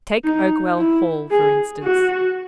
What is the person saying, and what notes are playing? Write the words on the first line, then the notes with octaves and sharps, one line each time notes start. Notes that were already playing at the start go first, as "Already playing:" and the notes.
Take Oakwell Hall, for instance.
D#4
E4
G#4
F#4